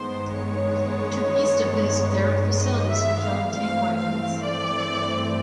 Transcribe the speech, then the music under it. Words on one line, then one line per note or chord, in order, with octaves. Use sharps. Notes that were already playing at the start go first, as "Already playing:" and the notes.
To the east of Visp, there are facilities for filling tank wagons.
Already playing: G2 D#3 G#3 B3 C5
C#5
D#5
E5
F5
G2 E3 A3 C4 F5
F5
D5